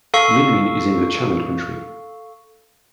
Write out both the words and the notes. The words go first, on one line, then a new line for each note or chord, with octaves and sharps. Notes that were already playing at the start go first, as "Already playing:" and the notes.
Min Min is in the Channel Country.
A4 F5 C#6